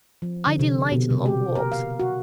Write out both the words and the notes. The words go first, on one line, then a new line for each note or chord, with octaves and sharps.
I delight in long walks.
F3
D3
C3
B2
C3
G4
A#4
F5
F#4